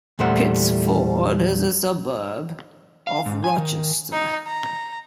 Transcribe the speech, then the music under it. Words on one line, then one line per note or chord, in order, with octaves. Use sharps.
Pittsford is a suburb of Rochester.
E2 A#2 G3 A3 C5 F#5
F5
G#2
G#5
D#3
D#4
A#5